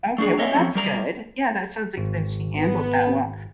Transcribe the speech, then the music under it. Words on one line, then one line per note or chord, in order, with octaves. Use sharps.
Okay, well, that's good. Yeah, that sounds like that she handled that well,
A3 D4 G#4
C4 C#5 D#5 E5 G#5
F3 A3 C4 C#4
G3 A#4 A#5
G#1
B3